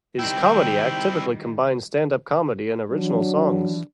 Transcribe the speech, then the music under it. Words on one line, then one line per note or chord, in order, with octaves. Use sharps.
His comedy act typically combines stand-up comedy and original songs.
D#3 G3 C4 E4 G5
D#3 F#3 G3 D4